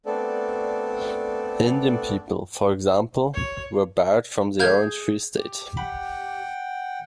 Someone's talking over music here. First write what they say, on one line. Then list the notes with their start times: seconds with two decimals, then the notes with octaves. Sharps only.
Indian people, for example, were barred from the Orange Free State.
0.06 A3 B3 C4 D4 A4 D5
3.34 C#5
4.60 A3 A#3 G#4 F6 G6 G#6
5.36 G4
5.77 F#5 G5 B5